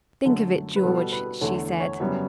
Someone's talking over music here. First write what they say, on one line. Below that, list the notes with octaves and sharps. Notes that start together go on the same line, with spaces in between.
"Think of it, George," she said.
F#2 D3 A3 A4
B4
B2 G3 B3 A4
B4
E2 D3 A3 C#5
C#5
F#2 C#3 G3 B3